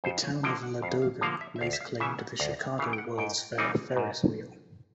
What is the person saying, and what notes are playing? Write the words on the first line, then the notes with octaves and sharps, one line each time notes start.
The town of Ladoga lays claim to the Chicago World's Fair Ferris Wheel.
F2 C5
C#5
D3 F3 A#3 G5
F#5
F2 F5
F5
D3 F3 A#3 F5
E5
E5
D2 F5
E5
F5
C#3 E3 E5
F#5
D2 F5
E5
C#3 E3 F5
G5
F#5
G#2 G5
E3 G3 C4 D#4
G#2